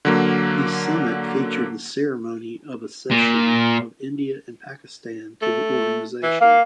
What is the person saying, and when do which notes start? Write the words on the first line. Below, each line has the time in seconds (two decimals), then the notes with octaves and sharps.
The summit featured the ceremony of accession of India and Pakistan to the organization.
0.05 D3 F#3 A#3
3.11 A#2
5.42 A3
6.23 E3
6.41 A#3 F5